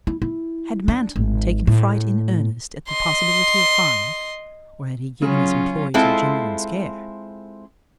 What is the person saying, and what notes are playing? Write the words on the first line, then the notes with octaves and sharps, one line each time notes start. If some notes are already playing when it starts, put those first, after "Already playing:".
Had Manton taken fright in earnest at the possibility of fire, or had he given his employees a genuine scare?
E4
E4
D4
G#1
A2
D#5 C6
C#3 F#3 C#4 F4
G#3 C4 E4 F4 A4